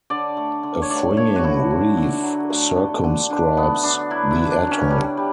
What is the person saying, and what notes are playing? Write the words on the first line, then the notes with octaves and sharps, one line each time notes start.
A fringing reef circumscribes the atoll.
D3 D5
A3
D3
C#5
A3 D5
A3 C#5
F#4
D3 E4
D3
D3
F#3
A3
A3
D3
D3 D4
A3 B3
D3 D4
F#3 E4
E4
D3
D4
F#3
C#4
G3 D4
G3